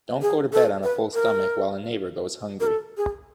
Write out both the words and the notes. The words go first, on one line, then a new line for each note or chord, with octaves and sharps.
Don't go to bed on a full stomach while a neighbour goes hungry.
G#4
A4
B4
A#4
A#4
A4
G#4